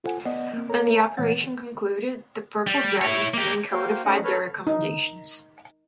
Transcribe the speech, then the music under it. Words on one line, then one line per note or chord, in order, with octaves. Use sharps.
When the operation concluded, the Purple Dragon team codified their recommendations.
F4 A4 C5 F#5 G#5
B3 D5 D#5 F#5
A#3 C4
A4 A#4 C#5 A#5
G#5
A#2 E3 A3 C#5 F#5 A6
G3
E4 C#5
A#3 G4
A#3 F#4 C5 F5 G5
A3 C#4 D#4 D#5 F#5
A4 B4 C#5 F6
D#4